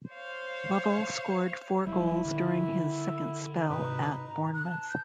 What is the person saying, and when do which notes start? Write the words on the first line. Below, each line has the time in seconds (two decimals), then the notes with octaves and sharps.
Lovell scored four goals during his second spell at Bournemouth.
0.10 C5 C#5 F5
1.87 E1 F#3 G3 E4
2.25 D3 D#3
3.70 G#2 C3 D#4 B4
4.26 A#5
4.54 F#6
4.65 A5
4.89 G6